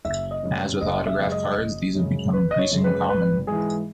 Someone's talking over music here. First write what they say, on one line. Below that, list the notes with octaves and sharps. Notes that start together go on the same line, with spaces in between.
As with autograph cards, these have become increasingly common.
F#1 E5
D#5
F#2 C#3 G#3
F#1 D#5
E5
F#2 C#3 G#3
D#5
F#1
F#2 C#3 G#3
F#1 B4
D#5
C#5
F#2 C#3 G#3
B4
G#1 B4
G#2 E3 G#4